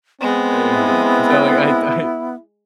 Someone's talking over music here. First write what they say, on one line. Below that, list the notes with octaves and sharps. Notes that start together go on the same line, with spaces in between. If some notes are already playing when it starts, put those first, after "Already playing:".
Maybe. And so like, I d I
G#3 B3 C4
E4